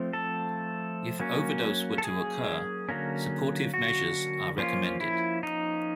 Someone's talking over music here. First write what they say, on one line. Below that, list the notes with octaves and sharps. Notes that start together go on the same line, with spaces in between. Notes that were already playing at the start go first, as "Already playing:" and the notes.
If overdose were to occur, supportive measures are recommended.
Already playing: F3 A3 C4
A4
F#3 A#3 C#4
A4
G#4
D3 F#3 A#3 C#4
F#4
F3 A#3 C#4 F4
E4
D#4